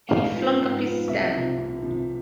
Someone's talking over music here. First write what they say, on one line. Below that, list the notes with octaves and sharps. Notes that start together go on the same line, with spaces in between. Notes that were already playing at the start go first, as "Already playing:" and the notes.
He flung up his stem.
G#2 F5
F3 B3
G#2
F3 B3
C2 E5
C3 F3
C2
C3 F3